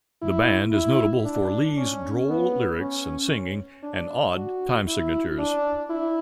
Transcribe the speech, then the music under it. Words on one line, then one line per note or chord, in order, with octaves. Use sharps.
The band is notable for Lee's droll lyrics and singing and odd time signatures.
E4
E4
D4
C#4
B3
C#4
D4
F#4
E4
D4
E4